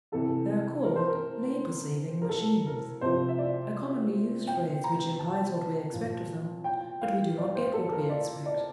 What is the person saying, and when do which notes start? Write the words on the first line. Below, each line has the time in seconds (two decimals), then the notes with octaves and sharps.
They are called "labour-saving" machines--a commonly used phrase which implies what we expect of them; but we do not get what we expect.
0.12 C3 E3 A4
0.84 A#4
0.96 C5
1.09 A#4
2.22 A#4
2.29 A4
2.66 A#4
3.01 C3 F3 C5
3.28 E5
3.39 D5
4.47 G5
4.84 A#5
5.19 A5
5.92 A#2 F3
6.64 G5
7.02 F5
7.38 D5
7.55 C5
7.74 A4
7.92 A#4
8.10 D5
8.46 D5